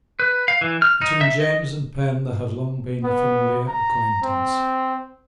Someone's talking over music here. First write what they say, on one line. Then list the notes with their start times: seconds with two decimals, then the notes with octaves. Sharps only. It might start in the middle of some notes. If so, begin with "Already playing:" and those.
Between James and Penn there had long been a familiar acquaintance.
0.19 B4
0.48 F5
0.61 E3
0.82 F6
1.02 D#4
1.21 E5
1.40 D#5
3.04 B3
3.68 A#5
4.22 C4